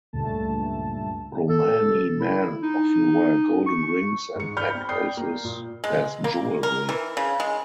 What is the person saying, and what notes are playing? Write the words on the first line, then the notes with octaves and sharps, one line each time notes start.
Romani men often wear golden rings and necklaces as jewelry.
C#2 G2 A#2 A3 A5
A4
E4
D#4
C#6
G#2 C#7
D5 B5 F6 G6
C4 B5
D5 G5 D#6 G6 C7
A#3
A#2
G#3
A#3
A#4
E3
C#3
G#3